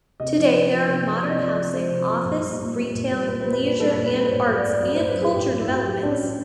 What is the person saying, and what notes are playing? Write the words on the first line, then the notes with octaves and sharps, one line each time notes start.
Today there are modern housing, office, retail, leisure and arts and culture developments.
C3 D#5
F3
C3
F3
C3
F3
C3 D5
D#5
F3 D5
C3
F3 C5
C3
F3
A#2
G3
A#2
G3
A#2
G3
A#2 B4
G3 C5
B4
A#2
G3 A4
A#2 B4
B4
G3 C5
A2 C#5
F#3
D5
A2
F#3 D5
A2 C5
B4
F#3 G#4
A2 G4
F#3
E4
A2 F#4
F#3 G4
A2 D4
C#4
F#3